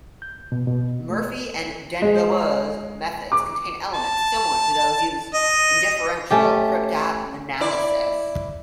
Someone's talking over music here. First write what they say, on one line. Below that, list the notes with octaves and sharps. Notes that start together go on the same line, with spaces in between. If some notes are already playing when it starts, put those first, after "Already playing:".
Murphy and den Boer's methods contain elements similar to those used in differential cryptanalysis.
G6
B2
B2
A3
G#3
D6
A5
D#5
A3 C#4 G4
E4 D5